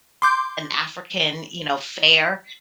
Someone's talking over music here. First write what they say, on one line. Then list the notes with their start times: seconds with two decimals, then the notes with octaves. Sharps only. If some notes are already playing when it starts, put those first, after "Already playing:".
an African, you know, fare,
0.22 C6 D6 G6